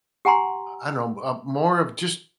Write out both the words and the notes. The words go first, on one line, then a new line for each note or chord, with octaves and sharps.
I don't know uh, a more of just
G4 F#5 G#5 A#5 C6